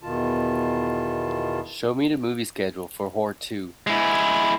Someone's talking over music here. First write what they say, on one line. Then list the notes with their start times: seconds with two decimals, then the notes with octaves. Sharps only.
Show me the movie schedule for Whore II.
0.03 E2 B2 D#3 F4 A5
3.87 G#3 E4